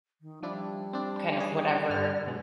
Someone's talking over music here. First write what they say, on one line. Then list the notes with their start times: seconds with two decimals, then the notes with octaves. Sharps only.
kind of whatever
0.21 D#3
0.43 F3 G3 D4 E4
0.93 C4 D4
1.37 C#4 D4 G#4
1.90 G2 F6
2.27 B2 F#3 G#3